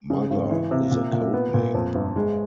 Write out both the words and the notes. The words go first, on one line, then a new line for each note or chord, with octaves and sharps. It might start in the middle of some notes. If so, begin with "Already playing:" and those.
"Mother" is a codename.
C#3
G#1
E3
C3
A#2
A#2
B3
A#2
F2
G1
G#3